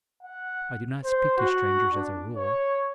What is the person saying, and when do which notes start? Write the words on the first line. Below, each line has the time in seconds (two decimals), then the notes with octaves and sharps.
I do not speak to strangers as a rule.
0.23 F#5
1.04 C5
1.38 F#4
1.93 D4
2.36 C#5